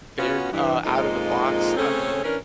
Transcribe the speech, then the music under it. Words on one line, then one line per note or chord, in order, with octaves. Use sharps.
B Bear, uh, Out of the Box. I mean,
B3 C#4 F4 F#4
G2 E3
F2 A#2 G#3 D#4 F4
C#3 A3 C4 C#4 A4 C#5
E3 C#4 D4 A#4